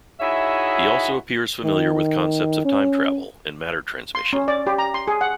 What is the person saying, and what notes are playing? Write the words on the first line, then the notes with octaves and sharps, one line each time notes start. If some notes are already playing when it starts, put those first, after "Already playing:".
He also appears familiar with concepts of time travel and matter transmission.
D#4 E4 F#4 G#4 C#5 E5
D#3
C#4
C6
C#4
D5
G4
A#5
C6
G#4
F#5